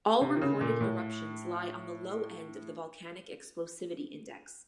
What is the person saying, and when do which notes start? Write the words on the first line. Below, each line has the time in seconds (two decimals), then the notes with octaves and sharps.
All recorded eruptions lie on the low end of the Volcanic Explosivity Index.
0.21 C3
0.36 D#3
0.41 C#3
0.61 A#2
0.81 A2